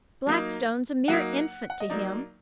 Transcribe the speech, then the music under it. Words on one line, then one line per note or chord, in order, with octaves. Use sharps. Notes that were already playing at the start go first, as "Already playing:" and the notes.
Blackstone's a mere infant to him.
F#3 A#3 D#4
F#3 A#3 D#4 F#5
F#5
D#5
F#3 A#3 D#4 D5